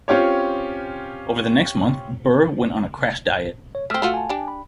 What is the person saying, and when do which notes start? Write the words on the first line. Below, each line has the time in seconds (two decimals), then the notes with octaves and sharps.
Over the next month, Burr went on a crash diet.
0.08 C4 C#4 F4 G4 C#5
3.75 C#5
3.90 A3 C4 E6 F6 B6
4.02 A3 F4 F#4
4.14 G#5 A5
4.29 D4 G4
4.48 B5